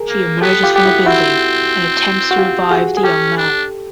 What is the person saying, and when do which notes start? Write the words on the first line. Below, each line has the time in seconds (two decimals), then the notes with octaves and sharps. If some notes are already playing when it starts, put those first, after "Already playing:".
She emerges from the building and attempts to revive the young man.
Already playing: G#4 A#4
0.08 A#3
0.41 B3 G4 A4
0.63 F4 G4
0.74 B3 G4
0.85 E4 F#4
1.06 C4 E4 F#4
2.31 F#4
2.38 F4 G4
2.71 F#4 G#4
2.97 G#4
3.03 C#4 G4 A4
3.37 D4